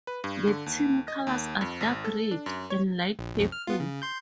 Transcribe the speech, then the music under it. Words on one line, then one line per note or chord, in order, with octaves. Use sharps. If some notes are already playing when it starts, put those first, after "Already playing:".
The team's colors are dark-red and light purple.
B4
G2
D3
D#2
D#5
D#2
F2
G#1
A4
D4
F#2
C#5
A#1
B1 F2
F6
B3 F4
C#3
C6 G6